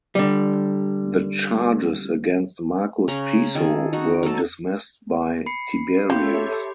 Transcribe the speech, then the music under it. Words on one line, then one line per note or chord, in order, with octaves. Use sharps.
The charges against Marcus Piso were dismissed by Tiberius.
D3 G3
C#3 C#4 A#5
D#3 G#4 A4
D#4 F#4
F#3 A4
B5 C7 C#7
A#3 G4 A4 C#5 E5 C6 G6